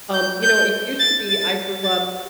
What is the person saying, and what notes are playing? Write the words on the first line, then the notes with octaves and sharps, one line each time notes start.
um, you know it used to be I grew up,
G6
G6
A6
A6
A6